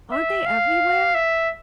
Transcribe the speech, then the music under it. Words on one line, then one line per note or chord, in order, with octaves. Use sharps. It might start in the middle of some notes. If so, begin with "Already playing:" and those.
Aren't they everywhere?
E5
F5
E5